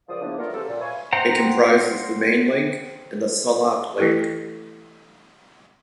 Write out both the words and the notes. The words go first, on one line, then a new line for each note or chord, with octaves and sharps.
It comprises the Main Link and the Salak Link.
C#2 F#2 F3 D5 F5 D#6
C#3 E3 F3 A#3 B3 D4
A3 B3 D4 F4 A#4
C#3 F3 F#3 C#4 G4 A4
A#2
B4 C#5 E5 F5 G#5
C5 F#5 G5 A#5
E3 A3 E4 G4 A4